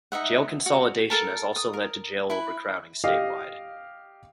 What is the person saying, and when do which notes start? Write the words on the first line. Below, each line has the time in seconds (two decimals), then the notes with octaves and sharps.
Jail consolidation has also led to jail overcrowding statewide.
0.12 D#4 D#5 E5 F#5
0.66 F#4
1.10 A4 A#4 A5
1.56 D#6
1.73 A#4
2.30 E4 B4
3.04 G4 D#5 F5